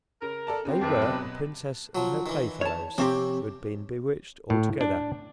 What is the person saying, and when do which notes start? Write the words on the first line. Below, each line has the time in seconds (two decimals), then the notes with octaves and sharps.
They were a princess and her playfellows, who had been bewitched all together.
0.22 C#3 A#4
0.47 A4 D5 A5
0.65 C#3 C4 D4 F#4
0.81 F#1 C3 G#3 D4 B4
1.00 F#2 B2
1.95 F3 F#3
2.26 D#3 E3
2.61 C#5 A5
2.98 C3 F3 C4 C#4 G4 D6
4.50 A2
4.81 D4